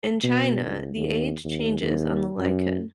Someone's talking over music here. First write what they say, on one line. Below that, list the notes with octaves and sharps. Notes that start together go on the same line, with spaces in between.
In China, the age changes on the lichun.
B2
C#2
D#2
D#2
D#2
F#2